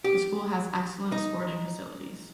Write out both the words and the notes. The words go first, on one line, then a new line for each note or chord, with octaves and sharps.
The school has excellent sporting facilities.
G4
D#4